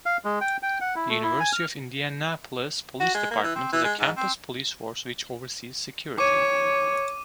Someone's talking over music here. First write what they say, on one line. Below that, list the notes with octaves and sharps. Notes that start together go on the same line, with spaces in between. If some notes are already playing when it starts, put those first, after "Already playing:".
The University of Indianapolis Police Department is a campus police force which oversees security.
F5
G#3
G5
G5
F#5
E4
A3
E4
G#5
F6
F#4
G#3
A#3
E3
C4
E3
G#3
G#2
C4
C#5 D6 D#7